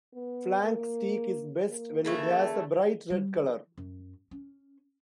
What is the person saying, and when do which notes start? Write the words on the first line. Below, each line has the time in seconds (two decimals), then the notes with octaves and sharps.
Flank steak is best when it has a bright red color.
0.14 B3
0.62 A#3
1.69 A#3
2.05 C#3 E3 A3
3.10 G3
3.37 E3
3.77 F#2
4.31 C#4